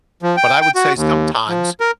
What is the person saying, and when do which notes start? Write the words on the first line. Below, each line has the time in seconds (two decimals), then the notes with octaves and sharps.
but I would say sometimes
0.22 F3
0.37 G5
0.61 G5
0.75 F#4
0.96 D#2
1.49 F3
1.80 A#4